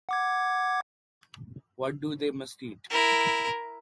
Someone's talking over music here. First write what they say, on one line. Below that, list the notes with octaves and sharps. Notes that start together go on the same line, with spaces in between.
What do they must eat?
F#5 D6 G#6
E4 A#4